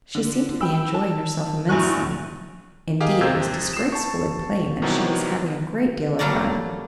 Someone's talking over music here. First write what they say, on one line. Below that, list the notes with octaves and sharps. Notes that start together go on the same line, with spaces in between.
She seemed to be enjoying herself immensely; indeed, it was disgracefully plain that she was having a great deal of fun.
D3
G5 B5 E6
A5
A#1 F#3 E4 G#5 C#6 F#6
G4 G#4 A#4 D#5 F5
D#2 C3 C4 E6 G6 G#6
C7 E7
A5 C#6
C3 D#3 E3 F#3 G3 B3
F#3 G3 A#3 A4 A#4 D5